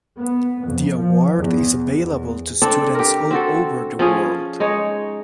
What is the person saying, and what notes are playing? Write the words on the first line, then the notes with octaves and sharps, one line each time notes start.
The award is available to students all over the world.
B3
F2
F3
E2
E2
C4 D4 A4
G4 A#4
C4 F#4 A4
F3 C#4 G#4
G#3 D#4 C#5